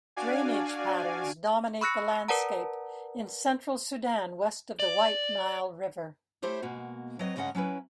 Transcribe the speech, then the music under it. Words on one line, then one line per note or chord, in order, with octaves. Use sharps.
Drainage patterns dominate the landscape in central Sudan west of the White Nile River.
D4 F#4 D5 F5 G#5
B5 C#6 E6 F#6 A#6 C#7
A#4 B4 D5 F#5 A5 A#5
D5
A3 E4 G4 C5 C#5
B2 G#3 A#3 F#4
F#3 C4 B4 C#5 D#5
G2 C#3 G#3 C#4 D#5 F#5
F#3 C#4 E4 B4